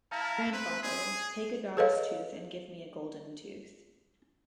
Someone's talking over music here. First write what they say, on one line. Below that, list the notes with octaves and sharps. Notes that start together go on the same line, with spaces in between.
Grandfather, take a dog's tooth and give me a golden tooth.
E4 F5 A5 A#5
C4 B4
G#4
G#4 A4 B4 C#5 D#5 F5